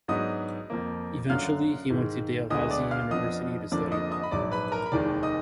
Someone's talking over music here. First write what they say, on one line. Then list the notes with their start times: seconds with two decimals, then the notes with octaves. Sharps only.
Eventually he went to Dalhousie University to study law.
0.08 G#2 F#3 B3 D4 D#5 D#6
0.70 F2 F3 A#3
1.30 F#2 D3 F#3 F5 F6
1.90 G#2 D#3 G#3
2.50 D2 D3 G#3 B3 D#5 D#6
2.71 D5 D6
2.91 F5 F6
3.11 F2 F3 B3 D4 D#5 D#6
3.72 F2 D3 F3 A#3 D4 D5 D6
3.92 D#5 D#6
4.11 D#5 D#6
4.23 B5
4.31 A#1 G#2 F#3 D5 D6
4.51 B4 B5
4.72 A#4 A#5
4.86 B5
4.92 F1 D#2 D#3 G#3 D5 D6
5.23 D#5 D#6